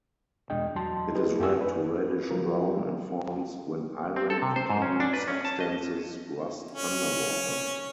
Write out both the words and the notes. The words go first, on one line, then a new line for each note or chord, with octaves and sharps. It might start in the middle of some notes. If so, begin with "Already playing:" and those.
It is red to reddish brown and forms when iron-containing substances rust underwater.
E2 B2 G#3 D4 D#5 G5
E2 F#3 A5 C6
D#4 E4 G#4 B4
F#2 G4 E5 F#5 G#5 E6
B4
F3 F#3 F4 A#4
C4
A4
C3
C5
G#2
C#4
D4
B4
C#4
A5
D#5
C#4